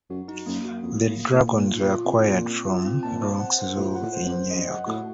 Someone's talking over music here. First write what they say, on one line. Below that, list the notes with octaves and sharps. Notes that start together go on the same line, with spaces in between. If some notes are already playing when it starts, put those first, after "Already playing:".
The dragons were acquired from Bronx Zoo in New York.
F#2 F#4
D#4
F#2 A#3
F#4
F2 A#3
A#3
A2
A#3
A2
A#3
A#2 F4
F4
A#2
F4
C3
C4
A#2 F4
C4
F4
C4
A#2 A5
C5
F#5
C5
A2 F4
F#5
A2
C5
F2
C5
F#2 D#5
F#5
A2 F#4